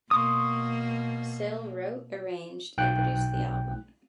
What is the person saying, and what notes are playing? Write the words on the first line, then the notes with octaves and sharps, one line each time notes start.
Sill wrote, arranged, and produced the album.
B2 A#3 C6 C#6 D#6
B1 G5 F#6